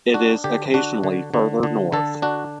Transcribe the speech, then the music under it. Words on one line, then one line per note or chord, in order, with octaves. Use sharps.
It is occasionally farther north.
D4 F#4
D3 G4
D4 F#4
D3
D3
D3
D3 A4
D4 F#4